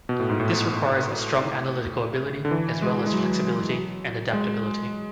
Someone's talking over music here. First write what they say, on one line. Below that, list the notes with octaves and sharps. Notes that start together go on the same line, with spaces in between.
This requires a strong analytical ability, as well as flexibility and adaptability.
B2
A2
G#2
A2
D3
E3
G#3
G#3
F#3
G#3